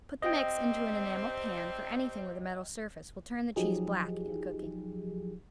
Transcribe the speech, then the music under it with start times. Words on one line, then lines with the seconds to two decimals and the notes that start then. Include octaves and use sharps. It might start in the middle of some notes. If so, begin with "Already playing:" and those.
Put the mix into an enameled pan, for anything with a metal surface will turn the cheese black in cooking.
0.22 C3 G3 C4 D#5 G5
3.56 F3 F#3 D#4 G4 G#4